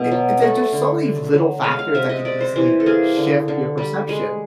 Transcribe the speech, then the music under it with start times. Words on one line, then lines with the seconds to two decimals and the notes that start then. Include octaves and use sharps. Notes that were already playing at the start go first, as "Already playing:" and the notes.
it it there's just so many little factors that could easily shift your perception.
Already playing: B2
0.11 F#3
0.42 A3 F#5
0.73 D3
1.03 D3
1.33 F#3
1.64 G#3 F5
1.79 F5
1.94 C3 E5
2.09 D#5
2.25 C3 D5
2.40 C5
2.56 E3 C5
2.80 A4
2.86 A#3 G#4
3.17 D3
3.48 D3
3.78 G3
4.09 G#3